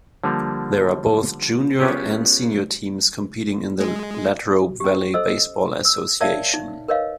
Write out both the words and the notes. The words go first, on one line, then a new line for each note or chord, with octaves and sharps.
There are both junior and senior teams competing in the Latrobe Valley Baseball Association.
D3 F3 G3 A#3
B3 C#4 F4 G4 G#4
G#3
C#4 G4
A4 C5 D#5 E6
E6
A#4 C#5 D5 E5 F5 A5
D#4
A#4 B4 C#5 D#5 F5